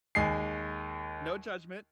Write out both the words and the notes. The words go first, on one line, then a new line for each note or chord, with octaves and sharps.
No judgment.
D#2 G#3 G#5 C7